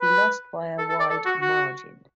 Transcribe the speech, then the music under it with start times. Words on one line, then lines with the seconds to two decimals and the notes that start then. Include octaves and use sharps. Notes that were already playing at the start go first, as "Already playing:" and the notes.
He lost by a wide margin.
0.01 B4
0.78 A4
0.89 A4
1.00 D5
1.10 A4
1.25 F#4
1.42 F#4